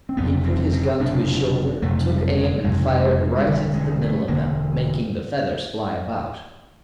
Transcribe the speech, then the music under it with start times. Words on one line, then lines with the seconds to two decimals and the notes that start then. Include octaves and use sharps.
He put his gun to his shoulder, took aim and fired right into the middle of them, making the feathers fly about.
0.09 C4
0.17 F#1 F2 C3 B3
0.45 C4
0.72 C4
0.99 F#1 F2 C3 D4
1.82 F#1 F2 C3 A3
2.09 G3
2.37 G#3
2.64 F#1 F2 C3 G#3
3.05 G#3
3.39 G#3
3.46 E1 D2 D3 G3
3.74 G#3
4.01 A3
4.28 E1 D2 D3 A#3